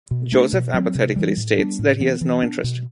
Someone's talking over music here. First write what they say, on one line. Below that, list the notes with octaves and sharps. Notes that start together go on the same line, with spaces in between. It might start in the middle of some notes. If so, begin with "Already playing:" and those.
Joseph apathetically states that he has no interest.
B2
A3 D4
B2
F#3 C4
C3
E3 G3
A2
G3 B3 D4
A2
E3 B3
E3
B3 D4
B2